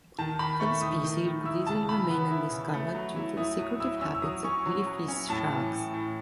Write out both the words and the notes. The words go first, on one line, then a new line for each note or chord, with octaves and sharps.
Further species could easily remain undiscovered, due to the secretive habits of "Glyphis" sharks.
D#3 A5
D#3 B5
A3 C#6
D#3 D#6
D#3
D#3
E4 E6
C#3 A5
C#3 B5
B3
E4
C#3
A3
F#3
E4
E4 D#6
F#3 D#6
E4 E6
C#4 E6
E6
F#3 D#6
C#4 C#6
F#3
F#3
C#4
A2 A5
E3
A2
A2